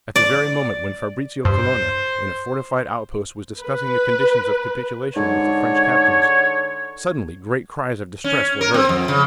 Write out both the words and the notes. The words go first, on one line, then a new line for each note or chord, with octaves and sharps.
At the very moment when Fabrizio Colonna in a fortified outpost was discussing the conditions of capitulation with the French captains, suddenly great cries of distress were heard.
D5
G2 C5
B4
G#2 D3 C#5
C#4
A#4
C4
F2
C#3